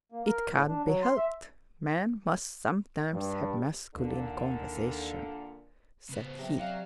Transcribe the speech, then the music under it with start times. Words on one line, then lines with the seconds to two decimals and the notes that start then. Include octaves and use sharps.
"It can't be helped: men must sometimes have masculine conversation," said he.
0.12 A#3
0.26 A#4
0.51 A2
0.67 D4
0.85 F#3
1.03 C6
1.17 E5
3.12 G2
3.95 D#2 A#2 D3
6.09 C#3 B3
6.23 C5
6.39 C3 F#3
6.59 F#3 D5 F5